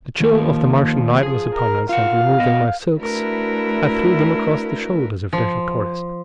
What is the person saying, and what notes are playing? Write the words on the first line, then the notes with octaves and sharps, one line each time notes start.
The chill of the Martian night was upon us, and removing my silks I threw them across the shoulders of Dejah Thoris.
D#3 F3 A#3 A#4
G#4
A#4
F4 F5 F#5
B3 D#5
A3 D4 E4 F#4 A#4 B4
F3